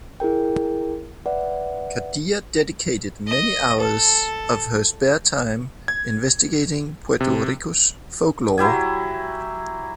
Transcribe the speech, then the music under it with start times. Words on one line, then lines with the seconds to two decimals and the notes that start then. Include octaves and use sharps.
Cadilla dedicated many hours of her spare time investigating Puerto Rico's folklore.
0.20 E4 G#4 A#4 G5
1.26 B4 D5 E5 F#5
3.27 D#5
3.80 A4
5.88 G#6
7.20 C3
8.58 F#3 E4 G4 G#5